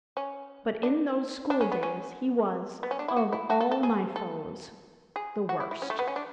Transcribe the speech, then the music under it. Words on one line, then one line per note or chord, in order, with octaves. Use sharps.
But in those school-days he was, of all my foes, the worst.
C#4
D4
D4
C#4
B3
C#4
B3
C#4
D4
E4
F#4
E4
F#4
A4
A4
G#4
A4
G#4
F#4
E4
E4
C#4
A3
B3
C#4
D4